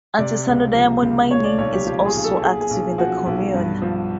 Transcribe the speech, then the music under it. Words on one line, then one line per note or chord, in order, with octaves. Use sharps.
Artisanal diamond mining is also active in the commune.
C3 D5
C#2
F3
C#2
A#2 C#5
D5
B1 C#5
G4
F3 G4
G#4
B1
A4
A#2 G#4
G#4
B1
F3 F#4
B1
G2
F3